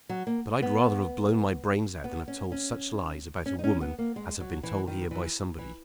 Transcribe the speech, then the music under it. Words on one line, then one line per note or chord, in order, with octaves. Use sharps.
But I'd rather have blown my brains out than have told such lies about a woman as have been told here by somebody.
F#3
A#3
B3
B3
C#4
C#4
C#4
D#4
C#4
B3
A#3
G#3
F#3
E3
D#3
E3
E3